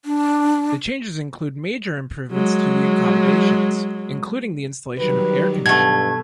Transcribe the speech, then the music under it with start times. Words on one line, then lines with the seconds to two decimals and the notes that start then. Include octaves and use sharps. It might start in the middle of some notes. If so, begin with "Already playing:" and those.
The changes included major improvements to the accommodation, including the installation of air conditioning.
0.05 D4
2.32 F#3 G#3
4.99 D#3 F#3 G3 B4
5.66 G2 B2 A3 G#6